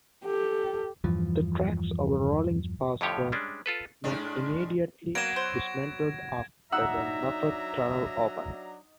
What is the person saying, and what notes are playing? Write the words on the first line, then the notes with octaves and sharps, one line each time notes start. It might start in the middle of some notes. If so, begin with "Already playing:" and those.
The tracks over Rollins Pass were not immediately dismantled after the Moffat Tunnel opened.
G4 A4
E2 G2 E3 F3
F2 A2 D3 F3 G4 C#5
G3 G#3 C#4 D4
F4 A4 B4
G#2 G#3 D4
F#3 A#3 B3 G#6 A#6 D7 E7
C5
F#3 D4 D#4 E5 F#5 A#5 E6